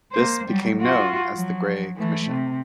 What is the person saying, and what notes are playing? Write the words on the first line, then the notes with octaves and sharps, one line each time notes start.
This became known as the Gray Commission.
A#3 C5
F#3 G3
F4 F#4
F3 F#3
E3 A3
C3